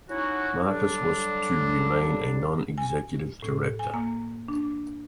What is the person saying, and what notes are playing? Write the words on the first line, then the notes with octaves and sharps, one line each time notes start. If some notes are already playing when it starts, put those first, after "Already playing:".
Marcus was to remain a non-executive director.
C#4 D#4 E4 F#4
D3 F#3 G3 D4
G#5
A2
G#5
A#3
D4